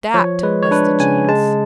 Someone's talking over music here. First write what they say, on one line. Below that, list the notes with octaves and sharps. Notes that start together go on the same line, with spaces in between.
THAT was the chance!
F3 C#5
G#3 B4
C#5
D4 B4
C#3 G#5
G#3 A5